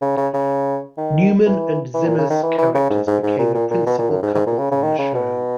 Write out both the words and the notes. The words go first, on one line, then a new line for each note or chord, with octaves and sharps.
Newman and Zimmer's characters became a principal couple on the show.
C#3
C#3
C#3
D#3
E3
E3
A#2
C#3
D#3
E3
E3
C#3
G#2
G#2
G#2
A#2
A#2
A#2
B2
A#2
F#2
G#2
G#2
A#2
C#3
C#3
D#3
C#3
B2